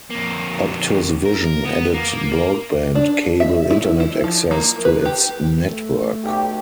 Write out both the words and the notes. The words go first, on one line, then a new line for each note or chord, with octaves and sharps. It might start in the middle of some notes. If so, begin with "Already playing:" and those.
Optus Vision added broadband cable internet access to its network.
F2 A#3
A#4
B3
A#3
D4
E5
E4
E4
F3
A#3
B4
G4
A3
B1 G4